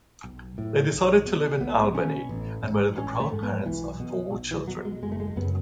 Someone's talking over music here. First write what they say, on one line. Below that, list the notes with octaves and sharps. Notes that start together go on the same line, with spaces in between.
They decided to live in Albany and were the proud parents of four children.
B1
A2
B1
B2
B1 B3
B2 C#4
A1
G#2
A1 C#4
A3
G#2
B3
B1 E3
B2
B1
E3
B2 F#3
G#3
F#1 G#3
A3
G#3
F#2 C#3 B3